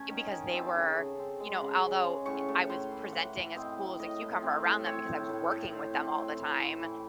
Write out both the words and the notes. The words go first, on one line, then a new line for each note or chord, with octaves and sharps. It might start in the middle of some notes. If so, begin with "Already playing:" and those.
eh, because they were you know, although, eh, I was presenting as cool as a cucumber around them, because I was working with them all the time,
Already playing: A3 C#4 G#5
D#3
D#3
C4 A5
C#3
C#3
C4
G#3
C#3
G#3
C#3
A2 C#6
A2
A2 C6
E3
A2 F#5
A2
C4 D#5
A2
A2 D#5
A2
C4
A2
C4 C#5
A2
A2
A2
C4
C4
A2
E3
A2
E3